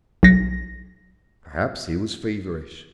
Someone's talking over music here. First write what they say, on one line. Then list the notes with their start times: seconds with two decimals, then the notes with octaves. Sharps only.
Perhaps he was feverish.
0.23 B1 A#6